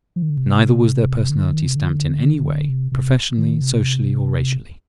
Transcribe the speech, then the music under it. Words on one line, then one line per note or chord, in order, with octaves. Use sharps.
Neither was their personality stamped in any way, professionally, socially or racially.
F3
D#3
D3
C3
D3
D#3
C3
D3
C3
C3
D#3
C3